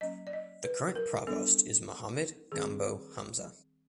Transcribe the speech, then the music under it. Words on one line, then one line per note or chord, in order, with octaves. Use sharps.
The current Provost is Mohammed Gambo Hamza.
F#3 A#3 C#4 D#5
D5
D#5
B4
A#4
G3 B3 D4 A4
D#3 G3 C4 G#4